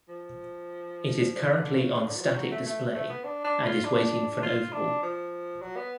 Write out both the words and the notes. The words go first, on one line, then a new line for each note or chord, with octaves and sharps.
It is currently on static display and is waiting for an overhaul.
F3
D3
C#3
D3
F#3
F3
F#3
A3
A3
A3
B3
D4
D4
F4
D4
F4
D4
F3
F#3
B3